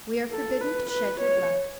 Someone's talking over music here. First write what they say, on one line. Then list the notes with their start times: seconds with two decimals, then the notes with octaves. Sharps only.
"We are forbidden to shed your blood."
0.31 A4
0.61 B4
0.91 B4
1.20 C#5